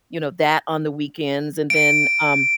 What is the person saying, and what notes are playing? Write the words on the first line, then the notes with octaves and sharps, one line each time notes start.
you know, that on the weekends, and then, um
D7